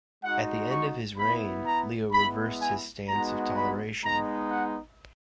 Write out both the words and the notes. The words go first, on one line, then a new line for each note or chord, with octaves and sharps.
At the end of his reign, Leo reversed his stance of toleration.
G#3 D#4 F#4 F#5
C#6
B3 E4 B5
A#5
G#3 B3 E4 B5
G#5
G#3 B3 D#4 F#4 A#5
B5
G#3 B3 D#4 A#5
F#5